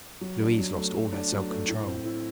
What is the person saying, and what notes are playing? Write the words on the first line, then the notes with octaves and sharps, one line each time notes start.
Louise lost all her self-control.
F#3
D4
F#3
A3
F#3
D4
F#3
A3
A2
C4
E4